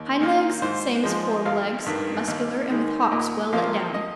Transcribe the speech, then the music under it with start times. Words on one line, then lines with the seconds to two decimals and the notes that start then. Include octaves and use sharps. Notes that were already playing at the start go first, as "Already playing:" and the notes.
HIND-LEGS--Same as fore-legs, muscular and with hocks well let down.
Already playing: D#2
0.21 D#3 A#3 F4
0.62 G#2 C5
1.04 F3 G#3
1.45 G#1 F5
1.86 G2 D#3
2.28 D#2
2.70 D#3 G#3 D#4
3.11 A#2 D#5
3.53 F3 A#3 F5
3.94 D#5